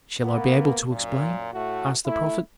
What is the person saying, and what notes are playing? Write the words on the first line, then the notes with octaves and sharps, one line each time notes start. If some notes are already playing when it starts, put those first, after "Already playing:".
"Shall I be able to explain?" asked the prophet.
A#3 B3
F#2 A#2
A2 A3 F#4
A3 E4